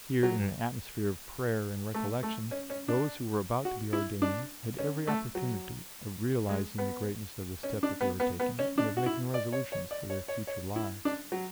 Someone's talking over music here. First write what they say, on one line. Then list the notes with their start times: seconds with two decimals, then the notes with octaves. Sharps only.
Here, in an atmosphere of prayer and recollection, those who were about to be ordained had every opportunity of realizing the greatness of the step that they were taking and of making resolutions for their future lives.
0.23 F#3
1.94 A3
2.23 A3
2.51 C#4
2.70 C#4
2.88 D4
3.65 F#4
3.93 E4
4.22 D4
4.78 C#4
5.07 A3
5.35 F#3
6.49 G#3
6.78 B3
7.63 C#4
7.83 D4
8.01 B3
8.20 B3
8.40 B3
8.59 C#4
8.78 D4
8.97 F#4
9.06 E4
9.34 D5
9.52 C#5
9.72 C#5
9.91 D5
10.10 C#5
10.28 C#5
10.47 C#5
10.76 E4
11.05 D4
11.32 F#3